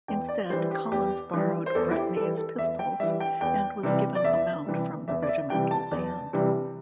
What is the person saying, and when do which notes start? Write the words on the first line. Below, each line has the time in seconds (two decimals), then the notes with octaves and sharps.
Instead Collins borrowed Bretney's pistols and was given a mount from the regimental band.
0.08 E2 G5
0.28 D5
0.50 G3 C5
0.53 E3
0.71 G4
0.91 E2 G4
1.34 E3 G3
1.66 C5
1.75 E2 A4
1.91 E4
1.96 G4
2.16 E3 G3 A4
2.37 A4
2.58 E2 E5
2.79 G5
3.00 G3 E5
3.03 E3
3.20 G5
3.41 E2 G5
3.83 C3 E3 G3
4.15 D5
4.24 E2 E5
4.67 C3 E3 G3
5.08 E2 E5
5.23 D5
5.29 E5
5.50 C3 E3 G3 G5
5.71 A5
5.91 E2
6.33 C3 E3 G3